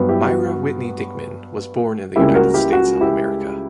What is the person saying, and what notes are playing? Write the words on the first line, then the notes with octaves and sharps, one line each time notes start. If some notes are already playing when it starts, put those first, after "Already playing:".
Myra Whitney Dickman was born in the United States of America.
Already playing: G2 F#3 B3
E4 G4
F#4
F#4
C#2 C#3 G3 A#3 E4 G4
F#4 A#4
E4 G4
F#4
E4 G4